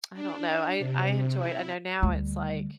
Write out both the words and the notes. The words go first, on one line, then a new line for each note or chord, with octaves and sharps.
I don't know. I I enjoy it. I know now it's like
D4
C3
E4
D2 G3